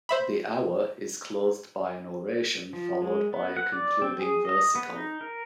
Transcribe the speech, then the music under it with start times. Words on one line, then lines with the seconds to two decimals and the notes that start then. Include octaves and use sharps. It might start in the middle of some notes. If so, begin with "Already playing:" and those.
The hour is closed by an oration followed by a concluding versicle.
0.09 C5 E5 B5
2.73 F3
3.02 G#3
3.33 B3
3.57 F#5
3.72 D5
4.02 C4
4.20 G#4
4.45 D#5
4.75 B3
4.95 D#4
5.21 A#4